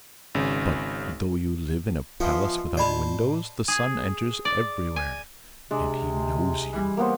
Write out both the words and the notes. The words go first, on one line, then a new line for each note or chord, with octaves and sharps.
But though you live in a palace without windows, the Sun enters everywhere, and he knows you.'
G#1 C#3
E3 F3 B3 F4 D#5 F5 C6
A2 C5 D5 D#5 G#5 A5 B5
G#4
D5
G#5
C3 G#3 D4
E3 G3
A#3 B3 C5